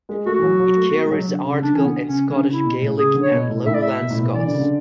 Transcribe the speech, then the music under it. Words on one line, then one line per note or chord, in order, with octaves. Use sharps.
It carries articles in Scottish Gaelic and Lowland Scots.
G#3
A3 F#4
E3
F#3
F#3
A3
B3
G#3
F#3
D3
C#3
D3 D4
E3 C#4
D3 B3
C#3 C#4
D3 C#4
C#3
E4
B2
A2
C#3 G#4
D3
C#5
B2
A2
A2 E5
D5
E5
B2
A2
B2
E3 D5
D3
C#3
D3